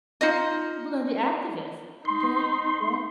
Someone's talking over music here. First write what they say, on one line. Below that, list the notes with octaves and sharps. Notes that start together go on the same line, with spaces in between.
we're gonna be activists, join join
D#4 F4 D#5
D#4 C6